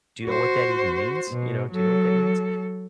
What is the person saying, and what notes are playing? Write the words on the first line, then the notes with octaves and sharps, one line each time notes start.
do you know what that even means, you know? Do you know what that means?"
F#4 C5
B2
F#3 A4